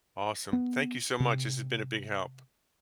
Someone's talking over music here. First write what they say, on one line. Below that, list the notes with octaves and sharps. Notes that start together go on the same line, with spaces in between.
Awesome. Thank you so much, this has been a big help.
B3
C3